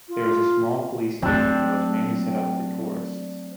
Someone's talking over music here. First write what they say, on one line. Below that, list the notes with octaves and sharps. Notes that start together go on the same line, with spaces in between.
There is a small police station that was mainly set up for tourists.
F4
F#3 A3 C4 D4